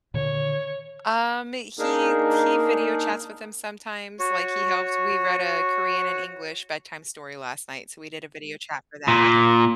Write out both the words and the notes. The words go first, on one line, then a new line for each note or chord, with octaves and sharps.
Um, he he video chats with him sometimes, like, he helps We read a Korean and English bedtime story last night, so we did a video chat for that.
A#2 D3 D#3 C#5
A#3 D4 D#4 G#4 A#4
F#4 C#5
A#2